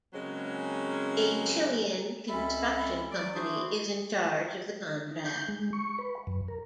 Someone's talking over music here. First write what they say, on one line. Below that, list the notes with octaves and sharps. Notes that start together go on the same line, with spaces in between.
A Chilean construction company is in charge of the contract.
C#3 F#3 G#3 A#3 C4 C#4
C#2 C4 C#4 A4 E5 B5
F#3 D5
D4 E4 F#4 G#4 C5
D#4
G6
G#3
C#6
B4
F#2
A#4